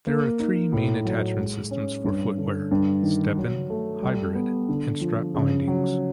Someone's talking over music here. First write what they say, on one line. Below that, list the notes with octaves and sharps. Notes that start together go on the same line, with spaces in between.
There are three main attachment systems for footwear: step-in, hybrid, and strap bindings.
A#3
D#4
A2
F#3
G#3
C#4
G2
D3
G2
D#3
F#3
A3
G3
B3
D3
F3
C#3
F#3